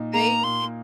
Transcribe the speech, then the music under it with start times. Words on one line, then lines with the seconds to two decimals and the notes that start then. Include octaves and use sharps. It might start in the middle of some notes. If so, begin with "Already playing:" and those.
Thank you
Already playing: A#2 D#4
0.14 A#3 A#5
0.44 A#2 C6